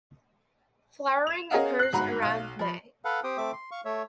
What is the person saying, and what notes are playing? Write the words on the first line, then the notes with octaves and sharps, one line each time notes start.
Flowering occurs around May.
E7 F7
C#4 G#4 A#4 D#5 F5 F#5
F#6 C7
G1 G#2 F#4 A#5 B5
B1 F5
F3 B5
A4 B4 F5 F#5
C4 G4 C5 G5 D#6
A3 C4 E5 D6
C6
F5 C#6
A3 C#5 E5